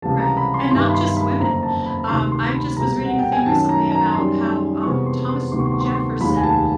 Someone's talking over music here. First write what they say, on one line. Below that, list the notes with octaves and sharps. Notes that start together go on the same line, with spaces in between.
Right, and not just women. Um, I just was reading a thing recently about how, um, Thomas Jefferson
C#2 C3 E3 G3 A5
A#5
B5
C6
G1 G2 D#3 C6
B5
C6
B5
F#1 F2 D3 A#5
A5
B5
D2 C3 D#3 C6
C6
B5
C2 B2 G#3 A#5
F#5
G5
G#5
F#2 D#3 F#3 A5
A#5
A#5
F#2 D#3 G3 C6
F2 C3 E3 G#3 B3 C#6
C6
C6
D2 C3 D#3 G3 B3 C6
C#6
C6
C#6
C6
C#6
C6
F1 D#2 D#3 G#3 B5
G#5
A5